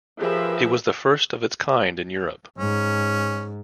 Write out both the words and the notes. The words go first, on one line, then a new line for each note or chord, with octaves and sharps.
It was the first of its kind in Europe.
F3 G4 G#4 A#4 B4 E5
G#2 C#4